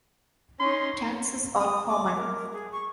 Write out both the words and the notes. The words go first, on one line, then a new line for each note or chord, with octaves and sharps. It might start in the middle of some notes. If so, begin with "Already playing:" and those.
Taxis are common.
C#4 D#4 C6
D#6
D6
A#4
G#4
C#6